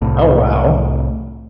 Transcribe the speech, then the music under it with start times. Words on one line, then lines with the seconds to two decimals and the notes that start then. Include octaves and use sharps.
Oh, wow.
0.02 C2 A2